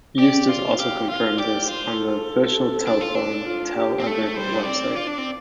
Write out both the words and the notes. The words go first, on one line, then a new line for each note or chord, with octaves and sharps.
Eustis also confirmed this on the official Telefon Tel Aviv website.
G4 D5
F4
G4 F5
F4 F5
G4 D5
F4 C5
A4
D4
F4
D4
F4
G4
C4
A3 A4
G3 C5
D4
C4 D5
F4
D4
C4